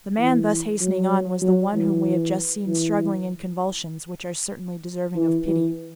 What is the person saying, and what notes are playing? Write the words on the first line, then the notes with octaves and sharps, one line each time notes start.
The man thus hastening on was the one whom we have just seen struggling in convulsions which are certainly deserving of pity.
E3
F#3
F#3
E3
E3
E3
E3